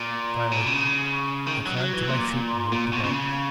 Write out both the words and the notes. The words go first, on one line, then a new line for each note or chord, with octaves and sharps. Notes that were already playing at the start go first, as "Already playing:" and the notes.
Finally, I climbed to my feet and looked about me.
Already playing: A#2
B2
C#3
D#3
F#3
F#3
E3
A#2
A#2
B2
C#3